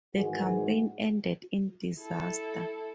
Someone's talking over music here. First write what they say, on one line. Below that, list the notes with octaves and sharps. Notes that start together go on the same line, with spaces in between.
The campaign ended in disaster.
G#2 D#3 E3 G#3 F#4 G#4
E4 A4